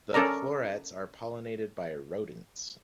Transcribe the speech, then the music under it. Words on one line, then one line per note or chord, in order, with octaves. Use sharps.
The florets are pollinated by rodents.
C#4 A4 A#4 D5 A#5